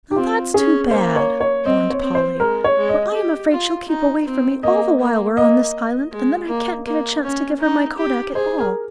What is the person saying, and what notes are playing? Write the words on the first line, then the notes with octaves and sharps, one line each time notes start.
"Now that's too bad," mourned Polly, "for I'm afraid she'll keep away from me all the while we're on this island, and then I can't get a chance to give her my kodak at all."
G4
C4 F4
C#4 G#4
A#3 C5
C#5
C#5
C4 D#5
C#5
C4
C5
G#3 A#4
C#5
G#3
D#5
G4
F4
D#4
C4
A#3 D#5
A#3
A#3 D#5
G#3
A#3
A#3
C#4
D#4
G4
G#4 C5
A#4